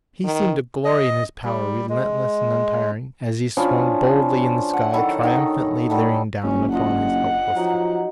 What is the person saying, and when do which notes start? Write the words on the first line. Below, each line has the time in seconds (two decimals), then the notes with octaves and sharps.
He seemed to glory in his power, relentless and untiring, as he swung boldly in the sky, triumphantly leering down upon his helpless victims.
0.24 D#3
0.85 D#5
1.44 G3
1.89 G#3
3.57 F3 C#4 D4 E4
4.73 F#5
4.94 D#3 F#3 E4 A4
5.23 D#3 D#4
5.90 F#3 G3 A3
6.43 F#1 C#4
6.72 D4 F4 D#5 F#5
7.56 F3 F#3 D#4